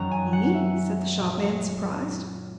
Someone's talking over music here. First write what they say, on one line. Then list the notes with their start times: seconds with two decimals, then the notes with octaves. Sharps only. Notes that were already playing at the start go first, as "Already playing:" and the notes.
"Me?" said the shopman, surprised.
Already playing: F#2 D#3 F#3 A#5
0.11 G#5
0.33 F#5
0.54 E5
1.17 A#2 F#3